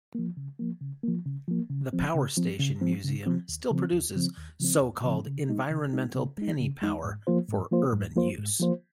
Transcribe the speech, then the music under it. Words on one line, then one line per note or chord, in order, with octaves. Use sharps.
The Power Station Museum still produces so-called environmental penny power for urban use.
F3 A#3
C#3
F3 A#3
C#3
F3 A#3
C#3
F3 A#3
C#3
F3 C4
C#3
F3 C4
C#3
F3 C4
C#3
F3 C4
D#2
C#3 F3 C4
D#2
C#3 F3 C4
D#2
C#3 F3 C4
D#2
C#3 F3 C4
C#3
G#3 D#4
C#3
G#3 D#4
C#3
G#3 D#4
C#3
G#3 D#4
G#2
F3 A#3 F4 C5
G#2
F3 A#3 F4 C5
G#2
F3 A#3 F4 C5
G#2
F3 A#3 F4 C5